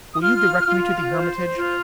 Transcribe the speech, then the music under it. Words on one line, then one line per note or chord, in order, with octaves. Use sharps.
'Will you direct me to the Hermitage?
D#6
F4 F6
F4
C5
F4